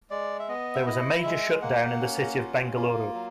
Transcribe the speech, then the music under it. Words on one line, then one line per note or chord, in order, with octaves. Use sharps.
There was major shutdown in the city of Bengaluru.
G#3 D5
E5
B3 D#5
E5
E4 D#5
G#3 E5
A#3 F#5
C#4
F4
A#3
F#3